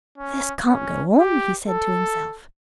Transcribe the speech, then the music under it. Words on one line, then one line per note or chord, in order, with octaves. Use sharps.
'This can't go on,' he said to himself.
C#4
C#4
G4
A4